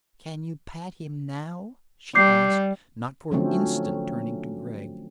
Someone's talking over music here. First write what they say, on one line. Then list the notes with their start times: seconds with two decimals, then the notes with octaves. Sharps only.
"Can you pat him now?" she asked, not for an instant turning to Gregg.
2.15 G3 D6 G6 C7
3.31 D3 F3 F#3 A3 C4 C#4